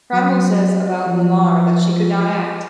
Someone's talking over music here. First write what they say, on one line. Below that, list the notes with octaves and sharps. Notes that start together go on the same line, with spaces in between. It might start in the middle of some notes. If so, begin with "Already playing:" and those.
Cromwell says about Lamarr that she could not act.
F#3
F3